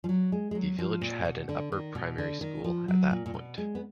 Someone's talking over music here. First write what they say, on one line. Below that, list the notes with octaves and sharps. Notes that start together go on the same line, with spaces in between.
The village had an upper primary school at that point.
F3
F#3
G#3
G#3
F#3
F3
A#2
B2
D3
D#3
B2
D3
D#3
F3
F#3
A#2
A#2
B2
G#3
B3